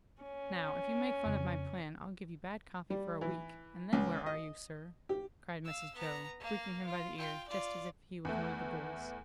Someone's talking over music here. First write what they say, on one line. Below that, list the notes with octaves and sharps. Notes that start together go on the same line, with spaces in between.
"Now, if you make fun of my plan I'll give you bad coffee for a week, and then where are you, sir?" cried Mrs. Jo, tweaking him by the ear just as if he was one of the boys.
C#4
F2 C#3
G3
E3
C#2
D#5
G4
F5 E6
B3 A#5
A#3 F5
F4
F4 G5
F4 D5
E2 A3